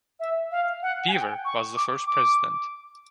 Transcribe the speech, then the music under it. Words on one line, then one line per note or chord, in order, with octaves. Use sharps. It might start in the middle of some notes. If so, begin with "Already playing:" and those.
Biever was the first president.
E5
F5
F#5
G#5
G5
C#6
D6
D6